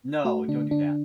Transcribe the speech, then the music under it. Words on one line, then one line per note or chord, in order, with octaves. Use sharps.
No, don't do that.
A3 F#4
D3 D4
D3 D4